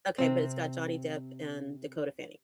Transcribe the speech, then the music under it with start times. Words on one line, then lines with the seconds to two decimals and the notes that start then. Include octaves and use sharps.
Okay, but it's got Johnny Depp and Dakota Fanning.
0.18 C3 C4